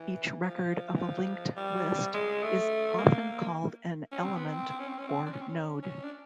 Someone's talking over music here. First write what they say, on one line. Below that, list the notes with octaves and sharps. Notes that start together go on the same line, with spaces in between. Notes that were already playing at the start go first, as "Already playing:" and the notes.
Each record of a linked list is often called an 'element' or 'node'.
Already playing: E3
F3
E3
F3
G3
G#3
A3
A#3
C#4
C4
B3
C4
C4
C#4
C4
C#4
C4
D4
C#4
C4
C#4
C#4
D4